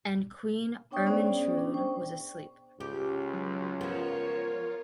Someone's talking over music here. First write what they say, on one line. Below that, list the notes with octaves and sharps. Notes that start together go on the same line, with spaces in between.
And Queen Ermintrude was asleep.
B3 D4 C#5 G5 C#6 D#6
B3 C#4 G#4 C5 D5
D4
C5 G5 C#6
C#2 G4
F#3
F3 B3 F4 A#4 C#5